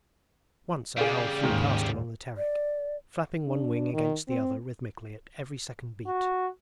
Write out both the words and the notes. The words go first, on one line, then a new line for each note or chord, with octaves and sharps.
Once an owl flew past along the Terek, flapping one wing against the other rhythmically at every second beat.
C#3 G3 G#4 D5 F5
D#2 G#2 D#3 G#3 A#3
D5
D4
D#3
C4
F#4